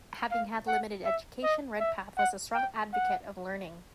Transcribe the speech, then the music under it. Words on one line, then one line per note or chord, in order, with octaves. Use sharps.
Having had limited education, Redpath was a strong advocate of learning.
F5
F#5
E5
D#5
E5
F#5
G5
F#5